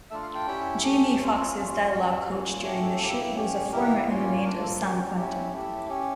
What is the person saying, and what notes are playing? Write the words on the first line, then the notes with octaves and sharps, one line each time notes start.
Jamie Foxx's dialogue coach during the shoot was a former inmate of San Quentin.
A3 D4 F4 E5
F5
G5
C#4 E4 G4
A3 C#4 G4
C#4 F4
C#4 F4 F5
C#4 G4 F5
E5
A#3 C#4 F4
A3 C#4 G4 C#5
A4
A#3 E4 G4
C#4 G4
A#3 E4 G4 A#4
A#3 C#4 F4
C#5
A#3 D4 F4 A#4
A4
C#4 G4 A#4
C#4 E4 G4
A3 E4 G4
C#4 G4